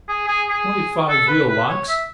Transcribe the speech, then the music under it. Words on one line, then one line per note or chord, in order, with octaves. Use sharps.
Twenty-five wheel locks!
G#4
G#4
G#4
A4
B4
B4
C#5
E5